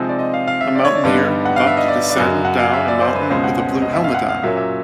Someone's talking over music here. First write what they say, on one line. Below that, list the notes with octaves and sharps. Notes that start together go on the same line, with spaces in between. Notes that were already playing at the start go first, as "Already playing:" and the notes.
A mountaineer about to descend down a mountain with a blue helmet on.
Already playing: C3 F3 G#3 C4 D#4
D5
D#5
F5
F5
E5
D5
C#5
D5
G2 D3 G3 B3 D#4
F#5
F5
E5
D#5
D5
D5
F#2 C#3 F#3 D#5
F#5
F5
E5
D5
C5
B4
C#2 B2 G#3 C#4 C5
F#5
F#5
D#5
E5
F5
F#5
F5
A#2 F#3 A#3 C#4 E5
E5